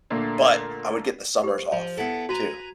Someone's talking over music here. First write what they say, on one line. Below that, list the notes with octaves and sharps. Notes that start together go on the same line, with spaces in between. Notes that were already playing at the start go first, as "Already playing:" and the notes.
but I would get the summers off, too.
A#2 D3 A3 A#3
G4 C5
F3
B3 E4 A4
F#4 B4 G#5 A#5